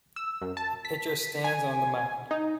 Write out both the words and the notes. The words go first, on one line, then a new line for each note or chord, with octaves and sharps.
A pitcher stands on the mound.
E6
F#2
A5
B6
G#5
D#4